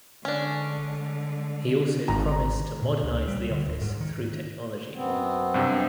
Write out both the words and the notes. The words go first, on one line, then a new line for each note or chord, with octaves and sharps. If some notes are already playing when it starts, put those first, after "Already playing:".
He also promised to modernize the office through technology.
D3 G#3 C#4 D4
G#1 A#5
A#2
C#2
G3
D3
D1
G#2
D#3
F#2 B3 C4
G2 C3